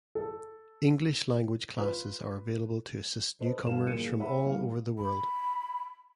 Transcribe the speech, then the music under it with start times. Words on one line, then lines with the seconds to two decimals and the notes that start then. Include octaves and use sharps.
English language classes are available to assist newcomers from all over the world.
0.15 A4
1.77 F4 B4
3.40 A4 B4 C5 D#5
3.63 G1 B3 F#4 A4 F5 E7
3.85 D#1 A#2 E3 G#4 C#7 D#7
4.06 G#4
4.19 G#4 C#5 E5 F#5 B5
4.44 E3 G3 B3 F5
4.98 B5